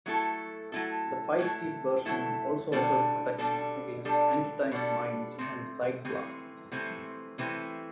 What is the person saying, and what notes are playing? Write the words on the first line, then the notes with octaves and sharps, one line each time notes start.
The five-seat version also offers protection against anti-tank mines and side blasts.
F#3 A3 E4 A4
F#3 A3 E4 A4
F#3 A3 E4 A4
F#3 A3 E4 A4
B2 G3 D4 A4
B2 G3 D4 A4
B2 G3 D4 A4
B2 G3 D4 A4
C3 E3 A3 C4
C3 E3 A3 C4
C3 E3 A3 C4
C3 E3 A3 C4